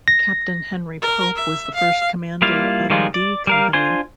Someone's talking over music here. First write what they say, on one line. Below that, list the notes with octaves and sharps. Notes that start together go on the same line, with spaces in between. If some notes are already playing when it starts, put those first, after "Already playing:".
Captain Henry Pope was the first commander of D Company.
A#6
A#4
E5
F5
G3 A#3 E4 F4 F5
D#3 F3 G3 G#3 F4
D5
G3 A#4 F5
D4 F4 C5 G#5 C6